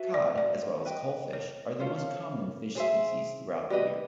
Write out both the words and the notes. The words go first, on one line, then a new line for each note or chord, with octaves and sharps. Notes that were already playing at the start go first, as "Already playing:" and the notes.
Cod, as well as coalfish, are the most common fish species throughout the year.
Already playing: F#4 B4 E5 A5
D5
D5
B4 D#5 G5
C#5
C#4 F4 A4 C5
G#4 C5 C#5 E5
G4 B4 D5 D#5